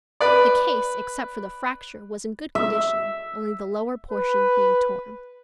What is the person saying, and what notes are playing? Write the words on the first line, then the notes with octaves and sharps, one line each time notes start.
The case, except for the fracture, was in good condition, only the lower portion being torn.
B4 D5
E5
B4